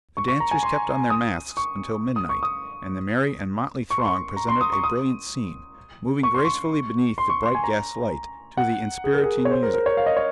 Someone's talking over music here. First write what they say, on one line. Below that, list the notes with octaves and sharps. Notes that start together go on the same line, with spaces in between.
The dancers kept on their masks until midnight, and the merry and motley throng presented a brilliant scene, moving gracefully beneath the bright gas-light to the inspiriting music.
C#6
C#6
A#5
G#5
C6
D#6
C#6
D#6
C#6
D#6
C#6
C6
C#6
A#5
C6
D#6
C#6
D#6
C#6
C6
C#6
C6
C#6
C6
G#5
A#5
F#5
G#4
A#4
G#4
C#5
C5
A#4
A#4
C#5
F5
D#5
C#5